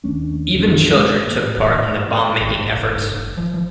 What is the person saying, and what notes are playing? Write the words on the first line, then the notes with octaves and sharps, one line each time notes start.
Even children took part in the bomb-making efforts.
D#2 A3 C#4 D4
F#1 B1 E2 D4
G#3
A2 A#3
A1
A2
F#1
G#2
F#1
F3
F3